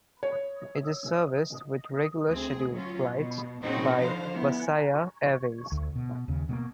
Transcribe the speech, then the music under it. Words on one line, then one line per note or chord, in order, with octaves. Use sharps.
It is serviced with regular scheduled flights by Wasaya Airways.
C#5
D2 C4 G#4
F#3 C#4 F4
B2
A#2 C4 C#4 D#4 F#4 G#4
D3 F3 C5 F5
B3 E4
D2
B2
D#2 C#3
B2 G#3 A#3